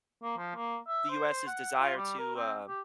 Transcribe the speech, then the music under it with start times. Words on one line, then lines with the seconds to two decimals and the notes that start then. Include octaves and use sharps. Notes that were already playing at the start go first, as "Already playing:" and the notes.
the US's desire to, uh
0.23 A#3
0.37 F3
0.55 A#3
0.88 E5
1.10 C5
1.47 F#5
1.80 F4
1.96 G3
2.19 A#4
2.36 C4
2.68 G4